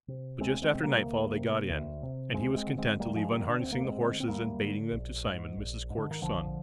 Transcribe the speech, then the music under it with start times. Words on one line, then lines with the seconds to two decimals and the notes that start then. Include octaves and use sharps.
But just after nightfall they got in, and he was content to leave unharnessing the horses and baiting them to Simon, Mrs. Cork's son.
0.08 C3
0.40 D2 G#3 C4
0.62 G#3 C4
0.74 C3 C4
0.83 G3 A#3
1.05 D2
1.37 C3
1.70 D2
2.03 C3
2.34 D2 G#3 C4
2.56 G#3 C4
2.67 D3
2.78 G#3 C4
2.99 D2 G3 A#3
3.16 F3 G#3
3.31 D3 G3 A#3
3.48 D4
3.60 D2 C4
3.72 A#3
3.84 G#3 C4
3.97 D3
4.20 C4
4.28 D2 G3 A#3
4.61 D3
4.93 A#1
5.25 G#2
5.57 A#1
5.90 G#2
5.98 D3
6.11 D#3
6.22 A#1 D3 F3